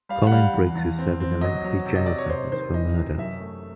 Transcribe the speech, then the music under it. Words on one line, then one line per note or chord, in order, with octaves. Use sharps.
Colin Briggs is serving a lengthy jail sentence for murder.
G3 F5
F#5
G3 F5
E2
E2
C4
C4
F#3 D#5
F#3
C3
D#5
C3 D5
C#5
C3 C5
D#3 C5
E3 D#5
C3
F#2 E5
A3